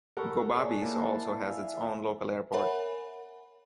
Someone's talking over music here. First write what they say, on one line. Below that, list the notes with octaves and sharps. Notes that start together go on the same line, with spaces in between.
Gobabis also has its own local Airport.
G4 A4 A#4 F#5 B5 C#6
G#4 C#5 D5 A5
A#3 E4 A5
E5 F5 G#5
A#4 C#5 E5 F#5 G#5 B5